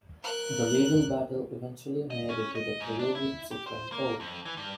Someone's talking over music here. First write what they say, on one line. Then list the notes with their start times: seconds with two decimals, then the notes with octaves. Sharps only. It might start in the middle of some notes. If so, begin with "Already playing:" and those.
The legal battle eventually made it to the Peruvian Supreme Court.
0.23 A#4 F#6
2.10 D#5
2.30 C#4
2.55 D#5
2.80 G#2
2.99 D4
3.15 E4
3.51 G4
3.67 C5
3.92 A#3
4.20 F2
4.45 E3
4.57 G2